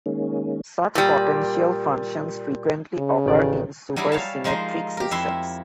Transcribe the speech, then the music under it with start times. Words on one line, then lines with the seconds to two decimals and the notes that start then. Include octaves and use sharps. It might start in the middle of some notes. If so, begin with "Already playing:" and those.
Such potential functions frequently occur in supersymmetric systems.
0.06 D#3 G#3 A#3 C#4
0.95 A#2 G3
2.97 C#3
3.26 A1 D#3 D5
3.96 F#3 G3 E4 G4 G#4
4.12 C#5 F5 A5
4.44 F3 G#3 D#4 A#4 C5
4.97 G4 A#4
5.11 F2 E4 E5 C6